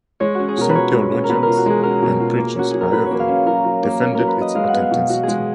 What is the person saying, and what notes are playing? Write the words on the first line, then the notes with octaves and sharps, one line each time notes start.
Some theologians and preachers, however, defended its authenticity.
G#3 C#5
C#4 F#4
G#4
B2 A#4
B4
F4 C#5
G#3
C#4
A#4
B2 B4
F4 A#4
F#4
G#3 G#4
C#4 A#4
B2
F4
A#3
C#4 F#4
F#3 G#4
A#4
F#3 B4
A#3 C#5
F5
C#4
F#3 A#4
F#3
A#3
C#4 A#4
F#3 A#4
B4
F#3 D#5
G#3 F5
B3 F#5
F5
B2
F#4
G#3 G#4